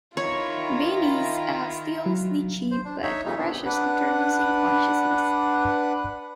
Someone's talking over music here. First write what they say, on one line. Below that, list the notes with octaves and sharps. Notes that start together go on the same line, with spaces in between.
Baines steals the jeep, but crashes after losing consciousness.
D#3 E4 F4 C#5
F#3
C5
D4
D#4 C#5 E5
F2 A#2 C#3 G3 D#4
C3 D#3 F3 B3 D4
D4 B4 F#5